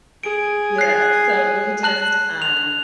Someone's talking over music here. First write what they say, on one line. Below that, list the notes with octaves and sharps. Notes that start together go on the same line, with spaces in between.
yeah, so we just, um
G#4 D7
F#6 C7
A5 F#6 F#7
F7